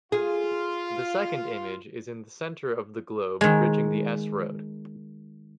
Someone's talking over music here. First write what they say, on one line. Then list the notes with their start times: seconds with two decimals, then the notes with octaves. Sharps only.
The second image is in the centre of the globe bridging the "S" road.
0.12 F4 G#4
3.41 D#3 G#3